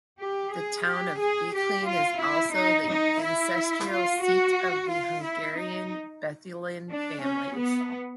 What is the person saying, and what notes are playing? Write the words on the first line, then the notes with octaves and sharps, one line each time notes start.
The town of Beclean is also the ancestral seat of the Hungarian Bethlen family.
G4
G#4
G4
G#4
G4
F4
E4
D#4
D#4
E4
F4
F#4
F4
E4
D#4
D4
C#4
B3